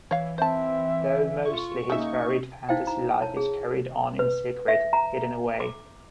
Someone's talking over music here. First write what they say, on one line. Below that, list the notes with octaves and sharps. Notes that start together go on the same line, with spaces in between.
Though mostly his varied fantasy life is carried on in secret, hidden away.
E3 C#5 F5
C4 C5 E5 A5
F4 C#6
C#3 A#3 D#4 E5
D#4 E4 C5 F5 G5
A#5
C#5 A5
G#4
B4
E5
A#5
D6